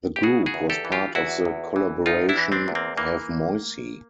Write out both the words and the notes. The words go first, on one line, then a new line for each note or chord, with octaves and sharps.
The group was part of the collaboration Have Moicy!
G4
C#3 F#4 G#4
F#4 G#4
E2
G4 A4
E3
F4 G4
E2 E4 F#4
E2
E3
E2 D#4 F4
D4 E4
E3
C4 D4
E2
A#3 C4
E3 A#3